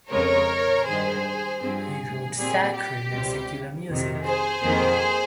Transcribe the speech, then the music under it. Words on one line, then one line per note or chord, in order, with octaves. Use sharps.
He wrote sacred and secular music.
F2 C#3 G#3 A#4 C#5
G2 D#3 G#3 G#4 C5
G2 F3 C4 G#4
A#2 G3 C4 G#4
G4
C#2 C3 G3
F2 C3 D#3
G#4 C5
F2 D#3 A#3